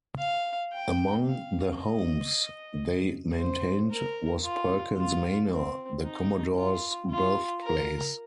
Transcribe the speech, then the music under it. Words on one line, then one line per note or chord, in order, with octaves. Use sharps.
Among the homes they maintained was Perkins Manor, the commodore's birthplace.
F5
G5
F5
D#5
C5
A#4
F4
F4
C4
D#4
F4
F4
A#4